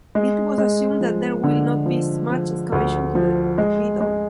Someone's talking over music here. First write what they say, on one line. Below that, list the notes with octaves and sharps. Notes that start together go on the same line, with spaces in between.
It was assumed that there will not be much excavation to be done.
G#3
G#3
F3
D3
F3
F3
D2
F3
G#3
G#3